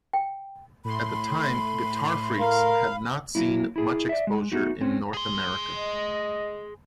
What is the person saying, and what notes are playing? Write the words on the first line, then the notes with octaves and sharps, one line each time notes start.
At the time, "GuitarFreaks" had not seen much exposure in North America.
G5
A2 B5 C6
A#4 F5
F#3 A#3 E4
E4 G#4
D5 E5
G#3
A3 B3 D#4 F#4
C4 C#4
G#4 C6
D#5